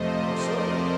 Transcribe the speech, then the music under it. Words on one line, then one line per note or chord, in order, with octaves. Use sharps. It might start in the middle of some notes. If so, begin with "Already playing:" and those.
"How so?"
Already playing: F2 C3 F3 A3 C5 D#5
A#4 D5